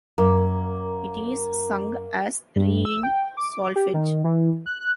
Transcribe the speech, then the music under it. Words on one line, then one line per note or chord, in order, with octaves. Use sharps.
It is sung as re in solfege.
F#2 A#3
G2
E6
G5
D6
G4
D#3
E3
F#6
F#6